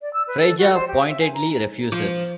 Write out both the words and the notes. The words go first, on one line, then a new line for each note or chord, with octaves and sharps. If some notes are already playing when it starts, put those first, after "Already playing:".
Freyja pointedly refuses.
D5
E6
B4
A4
F#4
C5
G4
E5
G#5
A#5
F3